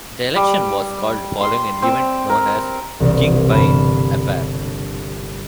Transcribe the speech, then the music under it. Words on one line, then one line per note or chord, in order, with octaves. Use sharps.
The election was called following an event known as the King-Byng Affair.
G3
C6
C4
A#4
E1 C2
G1 B5 F6 E7